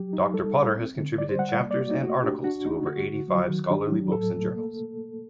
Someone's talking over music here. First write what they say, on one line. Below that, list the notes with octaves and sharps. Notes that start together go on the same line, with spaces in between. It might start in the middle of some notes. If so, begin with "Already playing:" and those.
Doctor Potter has contributed chapters and articles to over eighty-five scholarly books and journals.
Already playing: F#3 G4
D#4
G3 A4
G3
C4
D3
G3 D5
C5
G3 F#5
F#5
A#3 D5
D5
A#3 F#4
D#4
A3 F#4
D4 G4
D4 F#4
A3 D#4
D3 F#4
D3
F#3
D#3
D4 G4
F#3
A2 A4
A3
A#3